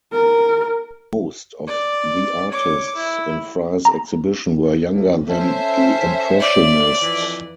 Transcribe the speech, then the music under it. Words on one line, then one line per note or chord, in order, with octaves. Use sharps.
Most of the artists in Fry's exhibition were younger than the Impressionists.
A#4
D5
C#5 D6
E4
A#5
D2
C#4 A4 C5 C#5 E5
D5
F2 E3